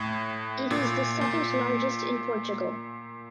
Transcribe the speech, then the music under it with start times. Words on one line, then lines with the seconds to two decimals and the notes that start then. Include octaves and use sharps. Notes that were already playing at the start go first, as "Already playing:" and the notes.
It is the second largest in Portugal.
Already playing: A2
0.71 A#2
1.21 A#2